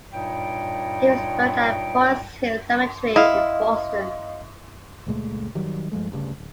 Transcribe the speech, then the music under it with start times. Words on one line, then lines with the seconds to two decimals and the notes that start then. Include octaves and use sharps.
He was buried at Forest Hills Cemetery in Boston.
0.13 G2 A#2 G3 D#4 C#5 G5
3.16 E4 D#5 F5
5.07 C#2 A#2 G#3 A3
5.55 D#3 F#3 G3
5.92 G2 F3 G#3 A3
6.12 D2 G2 C#3
6.38 D1